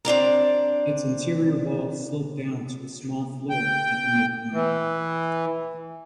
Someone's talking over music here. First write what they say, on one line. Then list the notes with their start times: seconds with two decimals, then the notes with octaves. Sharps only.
Its interior walls slope down to a small floor at the midpoint.
0.05 C4 D4 D5 A#5
3.50 G5
4.54 E3